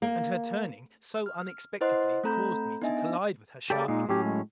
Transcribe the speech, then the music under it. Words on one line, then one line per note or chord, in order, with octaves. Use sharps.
And her turning so unexpectedly caused me to collide with her sharply.
A#3
F6
E4 B4 C5 D#5 F#5 C6
A3 C4 A4 A#5 B5 G6
B3 D4 D#4 D#5 E5 G#5
C#3 G4 A4 D5
A#2 G#3 D#4
A2 F#3 C#4 G4
G#3